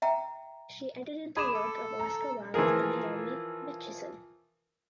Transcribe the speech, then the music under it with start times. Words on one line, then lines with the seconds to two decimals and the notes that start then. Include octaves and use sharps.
She edited the work of Oscar Wilde and Naomi Mitchison.
0.02 E5 F#5 G5 A#5
1.37 G#4 B5 D6 E7
1.55 A4
2.00 A#5
2.54 E3 F3 F4 G#4 A#4